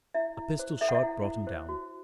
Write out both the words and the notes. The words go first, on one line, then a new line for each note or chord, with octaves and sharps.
A pistol-shot brought him down.
E4 E5
E4
C5
A4 E5
F#5
E5
E4
E4
C5
F#4